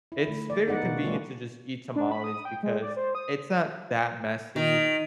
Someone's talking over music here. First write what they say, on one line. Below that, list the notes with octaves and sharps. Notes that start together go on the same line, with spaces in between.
It's very convenient to just eat tamales because it's not that messy.
E4
D3 A3
D5
A#3 B3 D#4 D5 F#5
B2 F#4
E3 G3 A3 C#4 D4 F4
D4
B5
D#6
G5
G#3
D5
C5
D#6
D#3